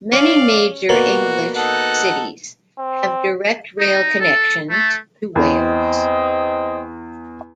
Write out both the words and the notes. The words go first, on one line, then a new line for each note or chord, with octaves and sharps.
Many major English cities have direct rail connections to Wales.
C#4 D5 F5
B2 A#3 F#4 D5
D#4 A4 F#5
C4
D#4
A4
A3
E2 C4 D#5